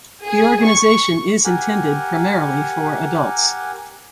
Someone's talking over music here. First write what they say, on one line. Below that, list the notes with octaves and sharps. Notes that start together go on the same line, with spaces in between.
The organisation is intended primarily for adults.
G#4
C#6
G4 A#4 F#5 G#5